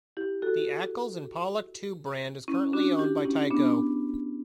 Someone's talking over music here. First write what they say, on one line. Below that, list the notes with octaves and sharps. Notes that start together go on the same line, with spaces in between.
The Accles and Pollock tube brand is currently owned by Tyco.
E4 G4
F#4 A4
C#4 E4
D4 F#4
E4 G4
C#4 E4
B3 D4